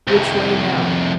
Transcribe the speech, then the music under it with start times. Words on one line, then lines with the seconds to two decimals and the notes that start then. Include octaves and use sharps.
"Which way now?"
0.08 C2 F2